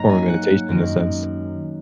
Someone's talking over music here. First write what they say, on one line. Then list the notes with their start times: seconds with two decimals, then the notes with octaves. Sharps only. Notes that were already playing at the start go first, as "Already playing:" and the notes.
form of meditation in a sense,
Already playing: G#2 F#3 A#3 A#5
0.09 G#5
0.29 F#5
0.68 F#2 D#3 G#3 C#4